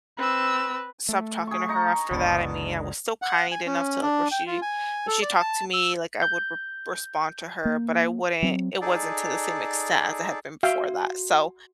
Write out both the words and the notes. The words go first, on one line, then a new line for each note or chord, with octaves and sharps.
stopped talking to her after that, I mean, I was still kind enough to like where she if she talked to me, like I would r respond to her, but I wouldn't it wasn't to the same extent as it had been before that, so
C4 B4 E6
A3
G#4 C#6
D#4 A#5 C#6
F#1 C#2 B2 D3 B3
F#5
G#5
C#4
D4
G5
F4
G#5
A4
D5
A5
E6
G6
A#3
F#3 C4
D#4 G#4 A4 D5
F#4 E5 F5 G5